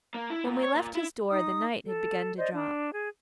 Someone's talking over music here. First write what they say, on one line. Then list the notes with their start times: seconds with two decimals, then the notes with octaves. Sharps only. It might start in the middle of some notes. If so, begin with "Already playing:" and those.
When we left his door the night had begun to drop.
0.14 A#3
0.30 E4
0.45 A#2
0.63 C#5
0.76 A#2
0.95 E4
1.31 D#4 D#6
1.86 A4
2.38 C5 D5 D#5
2.53 D4
2.91 G#4